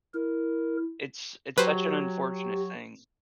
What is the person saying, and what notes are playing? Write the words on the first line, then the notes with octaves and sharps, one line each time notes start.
it's it's such an unfortunate thing.
E4 A#4
F#3 G4 B4 C5